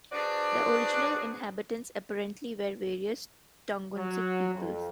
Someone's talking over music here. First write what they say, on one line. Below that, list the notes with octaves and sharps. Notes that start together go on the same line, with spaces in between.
The original inhabitants apparently were various Tungusic peoples.
D4 F#4 G#4 B4 C5 D5
F#3
F2